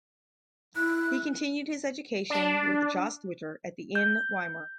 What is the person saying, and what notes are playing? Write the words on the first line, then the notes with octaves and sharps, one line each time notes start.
He continued his education with Jost Witter at the in Weimar.
E4 F#6
D4
G6